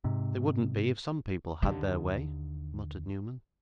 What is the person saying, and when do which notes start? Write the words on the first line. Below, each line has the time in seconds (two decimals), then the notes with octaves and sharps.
'They wouldn't be, if some people had their way,' muttered Newman.
0.04 G#2 C3
1.62 D#2 D3